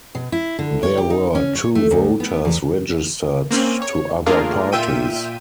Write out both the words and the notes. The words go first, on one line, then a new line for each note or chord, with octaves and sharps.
There were two voters registered to other parties.
B2
E4
D3
C#5
G4
D#4
C#4
C#5
A3
D2
B3
E2
A#3 C4 C#4
C#5
A3 A#3 D4 F4 G#4 A#4
A#2 F4 E5 G5 D#7